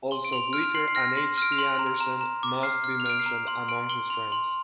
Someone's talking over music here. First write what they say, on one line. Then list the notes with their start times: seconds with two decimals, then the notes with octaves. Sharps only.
Also Blicher and H. C. Andersen must be mentioned among his friends.
0.11 C6 G7
0.25 D7
0.32 C6 F7
0.53 F6 D7
0.75 C6 C7
0.88 C7
0.95 F6 A#6
1.17 C6
1.38 F6 D7
1.52 F7
1.59 C6
1.79 A#5
2.00 A#5
2.21 A#5
2.43 D6
2.63 F6 C7
2.84 F6
3.00 F7
3.06 F6 D7
3.19 C7
3.26 A#5
3.48 C6
3.68 C6 D7
3.89 C6 G7
4.10 C6 F7
4.32 C6